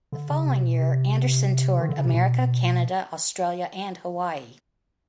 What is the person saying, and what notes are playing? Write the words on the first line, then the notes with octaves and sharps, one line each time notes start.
The following year, Anderson toured America, Canada, Australia, and Hawaii.
D3
C#3
C3
B2
C3
D#3
D3
C#3
C3
B2